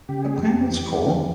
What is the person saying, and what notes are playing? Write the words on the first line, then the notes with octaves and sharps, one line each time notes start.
Okay, that's cool.
C#3 G4
G#4
F2 G4
E3
F2